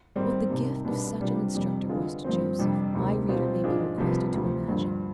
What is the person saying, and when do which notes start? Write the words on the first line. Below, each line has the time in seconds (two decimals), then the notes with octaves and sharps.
What the gift of such an instructor was to Joseph, my reader may be requested to imagine.
0.16 G#2 D#3 G3 C4
0.50 C2 C3 D#3
0.85 C2 B2 B3 D4
1.19 C3 G3 D4 F4
1.55 F2 C3 G3
1.89 D3 G#3 B3 F4
2.24 G2 F3 C4
2.59 F2 C3 G3 D4
2.94 D2 C3 D#3
3.28 B2 G3 C4 F4
3.64 G#2 F3 G#3 D4 F4
3.98 C2 C3 F3 B3
4.32 D2 C3 F3
4.68 G2 D3 F3